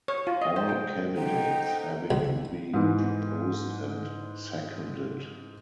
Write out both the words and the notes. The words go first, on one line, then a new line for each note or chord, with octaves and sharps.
All candidates having to be proposed and seconded.
C#5
F4
D#5
C5
G5
D#4 A4 C5 F#5 G5
C#2
G#2 E3